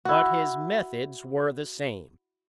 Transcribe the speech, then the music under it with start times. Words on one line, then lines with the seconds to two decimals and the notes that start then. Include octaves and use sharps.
But his methods were the same.
0.05 E4 F#4